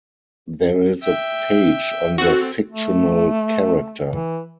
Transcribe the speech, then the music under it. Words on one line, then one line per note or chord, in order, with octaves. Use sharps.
There is a page on the fictional character.
E5 G5
C4 F#4 A4
A3
E3